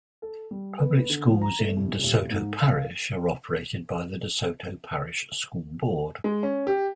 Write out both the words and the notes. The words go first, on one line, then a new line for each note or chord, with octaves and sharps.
Public schools in DeSoto Parish are operated by the DeSoto Parish School Board.
A4
G3
B3
D3
F3
A#5
A3
C2
D#1
G#2
F5
G#3
C#4
G4